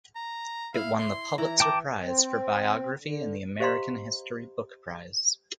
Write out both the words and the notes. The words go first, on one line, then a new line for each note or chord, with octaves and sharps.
It won the Pulitzer Prize for Biography and the American History Book Prize.
A#5
E4 F5
C6
E3 A#5
G5 A5 D6
C4
D3
G4 C5 D#5 F5 A#5 C6